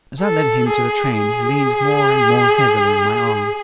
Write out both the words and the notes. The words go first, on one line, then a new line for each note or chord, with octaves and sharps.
As I led him to the train he leaned more and more heavily on my arm.
A4
G#4
G#4